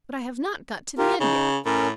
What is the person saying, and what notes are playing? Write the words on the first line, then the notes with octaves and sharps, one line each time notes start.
But I have not got to the end yet.
F4 G4 A#4
C#3 D#4
A2 C#4 A#4